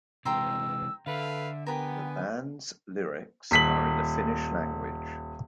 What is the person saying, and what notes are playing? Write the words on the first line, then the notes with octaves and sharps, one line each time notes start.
The band's lyrics are in the Finnish language.
C3 E3 G#3 G5 A#5 C6 E6
D3 A4 B4 E5 F5
B3 G4 A#4 G#5
D#1 B6 F#7